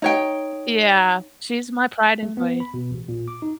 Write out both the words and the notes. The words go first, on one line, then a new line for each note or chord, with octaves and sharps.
Yeah. She's my pride and joy.
D#4 C#5 G5
A3
B3
B5
B2
A1
A#2
D6
D#4